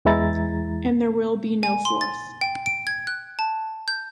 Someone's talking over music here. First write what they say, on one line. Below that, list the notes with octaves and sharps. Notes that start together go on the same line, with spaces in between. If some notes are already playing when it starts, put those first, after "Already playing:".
And there will be no fourth.
E2 E3 G#3 E4 A#5 A6
G#5
C6
A6
G5
D7
G#6
F#6
A5
G6